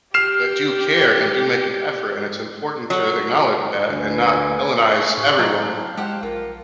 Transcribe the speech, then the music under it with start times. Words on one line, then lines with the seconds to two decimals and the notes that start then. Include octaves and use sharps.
that do care and do make an effort, and it's important to acknowledge that and not villainize everyone.
0.14 G4 F6 C7 E7
2.90 F#3
3.89 D2 B4 G#5
4.92 E4 C5 C#5 F5 G#5
5.17 A2 G4 G#5 C#6
5.38 F#3 C4 E4 D#5 G5 A#5
5.61 A5
5.97 G#3 G4 C5 F#5
6.23 A#1 F4 A#4